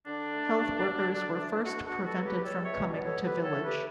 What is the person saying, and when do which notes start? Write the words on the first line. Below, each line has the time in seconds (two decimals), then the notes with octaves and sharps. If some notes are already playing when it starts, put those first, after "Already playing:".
Health workers were first prevented from coming to village.
0.06 D3 D4
0.33 A3
0.59 G2
0.85 F#3
1.12 D3
1.38 A3
1.65 B2 D4 F#4
1.85 D4 F#4
1.92 B3
2.04 F#4 A4
2.18 C#2
2.24 G4 B4
2.44 G3 A4 C#5
2.64 C#5 E5
2.71 B2
2.93 B3 D5
3.04 A4 C#5
3.24 B2 G4 B4
3.44 A4 C#5
3.51 A3
3.63 G4 B4